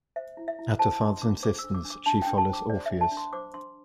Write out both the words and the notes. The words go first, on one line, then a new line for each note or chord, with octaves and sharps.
At her father's insistence, she follows Orpheus.
C5 E5
E4
E5
E4
C5 A5
D4 C6
D4 D6
C5 D6
E6
D4
D6
D4
D6
D4 A5
D4 G5
A5
C5
D6
C5 D5
D4 E5
A5
D4
C6
C5 D6
D4 C6